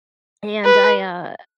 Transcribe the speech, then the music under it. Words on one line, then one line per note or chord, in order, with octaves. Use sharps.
and I, uh
B4